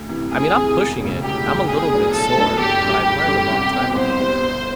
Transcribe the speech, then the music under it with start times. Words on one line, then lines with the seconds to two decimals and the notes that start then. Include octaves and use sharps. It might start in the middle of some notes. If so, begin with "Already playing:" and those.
I mean, I'm pushing it, I'm a little bit sore, but I learned a long time ago,
Already playing: D2
0.09 C3 E3
0.31 D2 G#4
0.54 C3 E3
0.77 E1
1.00 D2 C#3
1.22 E1 G4
1.45 D2 C#3
1.68 B1 G#4
1.90 A2 F#3 B3 D4
2.14 B1 A4
2.36 A2 F#3 B3 D4
2.59 F#1 G4
2.81 F#2 D3 G3
3.04 F#1 G4
3.27 F#2 D3 G3
3.50 C2
3.73 B2 G3 C4
3.96 C2 C5
4.19 B2 G3 C4
4.41 G1